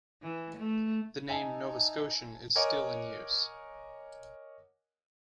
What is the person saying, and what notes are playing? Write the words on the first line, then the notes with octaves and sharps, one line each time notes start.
The name "Novascotian" is still in use.
E3
A3
D#4 E5 G#5 A5
A#4 C#5 D#5 F#5 G#5 D6